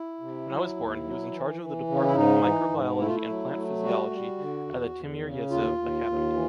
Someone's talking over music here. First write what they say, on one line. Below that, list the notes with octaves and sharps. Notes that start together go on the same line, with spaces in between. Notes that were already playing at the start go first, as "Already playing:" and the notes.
When I was born, he was in charge of the Department of Microbiology and Plant Physiology at the Timiryazev Academy.
Already playing: E4
C3
F#3
D#2
F#3
E3
E3
C#3
E4
G#2 D#4
E3
G#2
A3 E4
F4
E4
F#3
A3
G3 F#4
G3
D3
E2
E2
C#3
D#2 F4
D#2
D#2
E3